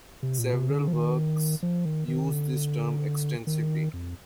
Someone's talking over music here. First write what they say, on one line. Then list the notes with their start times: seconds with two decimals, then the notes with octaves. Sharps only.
Several works use this term extensively.
0.23 C3
0.39 A#2
0.53 C3
0.70 D3
0.88 F3
0.93 D#3
1.63 F3
1.85 D#3
2.08 D#3
2.31 D3
3.47 D#3
3.93 F2